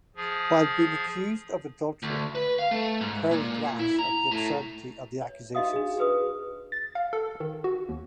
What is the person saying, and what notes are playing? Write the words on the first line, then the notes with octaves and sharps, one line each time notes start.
While being accused of adultery, Querry laughs at the absurdity of the accusations.
F3 G#4
D2
B4
F5
A3
G#2
A#2
E4
A#5
A2
C#5
D#4 F#4 D#5 F5 D#6
D4 G#4
F#4 G#4 B4 D#6
A6
F5
A4
D#3
F#4
D#2